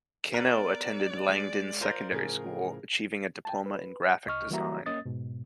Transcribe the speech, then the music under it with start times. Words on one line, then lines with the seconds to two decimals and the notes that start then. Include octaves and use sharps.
Kano attended Langdon Secondary School, achieving a diploma in graphic design.
0.34 B3 A#4 D5 F#6
1.29 G#3
1.81 F4 A#4 C5 G6 A#6
2.12 A2 C#3 F3 G#4 A#4
3.45 G5 A5
3.66 B4
4.27 C2 D#5 C#6 F6
4.51 E3 G3 A#3 F#4 E5 A#5
4.86 A#3 C#4 D#5 D#6 A6
5.05 G#2 B2